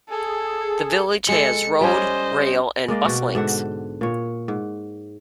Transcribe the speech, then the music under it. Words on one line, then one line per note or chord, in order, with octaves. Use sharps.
The village has road, rail and bus links.
G#4 A4
G#3 A4 C#7
G3 C#4 C5 D#5
G#3 A#3 D5 D#5
B2 F#4
G#2 D3 E5 F#5
A#2 C#5
G#2